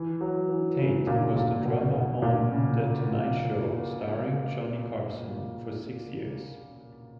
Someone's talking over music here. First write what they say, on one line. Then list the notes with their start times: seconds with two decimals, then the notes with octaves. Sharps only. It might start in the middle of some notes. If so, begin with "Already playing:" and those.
Tate was the drummer on "The Tonight Show Starring Johnny Carson" for six years.
Already playing: E3
0.21 F#3
0.49 E3
0.79 C#3
1.07 A#2
1.36 A#2
1.65 B2
1.94 B2
2.22 A#2
2.52 C#3